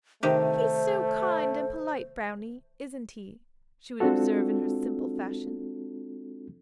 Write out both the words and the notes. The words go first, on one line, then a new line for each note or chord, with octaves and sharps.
'He's so kind and polite, Brownie, isn't he?' she would observe in her simple fashion.
C3 D#3 A3 G4 C5
G#3 C4 D4 F4 F#4 A4